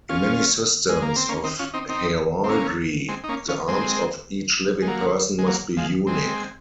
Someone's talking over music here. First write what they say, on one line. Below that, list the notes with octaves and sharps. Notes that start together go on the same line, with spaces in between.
In many systems of heraldry, the arms of each living person must be unique.
C#4 F4
G#3
A#3
C4
A#3 C#4
C4 D#4
C#4 F4
C4 D#4
C4 D#4
C4
A#3 C#4
G#3 C4
D#4
A#3 C#4
C#4 F4
G#3 C4
G#3
F#3 A#3
G#3
F#3 A#3
F3 G#3
G#3 C4